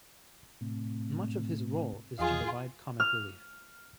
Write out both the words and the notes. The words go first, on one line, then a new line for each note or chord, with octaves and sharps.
Much of his role is to provide comic relief.
A2 C3
E2 F3 F4 G#4 D#5
F6